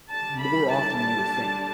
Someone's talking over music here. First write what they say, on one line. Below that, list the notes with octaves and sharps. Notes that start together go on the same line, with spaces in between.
more often than you would think.
D3 G3 D4 A5
B5
A5